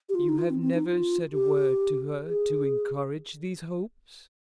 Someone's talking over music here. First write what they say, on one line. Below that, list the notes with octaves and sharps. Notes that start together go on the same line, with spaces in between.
"You have never said a word to her to encourage these hopes."
G4
F4
D#4
F4
C4
C4
D#4
F4
G4
G#4